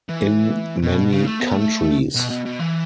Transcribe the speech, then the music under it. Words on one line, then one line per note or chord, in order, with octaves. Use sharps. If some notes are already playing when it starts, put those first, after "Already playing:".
In many countries.
E3
B2
C#3
A3
B3
A3
B2
B2
B2
E3